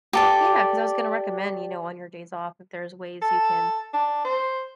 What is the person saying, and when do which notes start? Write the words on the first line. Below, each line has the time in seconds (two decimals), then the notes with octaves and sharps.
Yeah, 'cause I was gonna recommend, you know, on your days off, if there's ways you can,
0.13 G4 A4 D5
3.22 A4
3.93 D4
4.25 C5